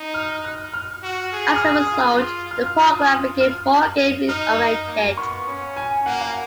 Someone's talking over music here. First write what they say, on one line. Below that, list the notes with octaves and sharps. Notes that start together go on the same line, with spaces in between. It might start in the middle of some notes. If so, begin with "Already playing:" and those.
As a result, the programme became more game oriented.
Already playing: D#4
F6
F#6
F6
F#4
G#4
F6
D#6
F4
F4 F6
F6
D#6
F6
D#4 F6
A#3
B3 C#6
C#4
G#5
A#3 F#5
F5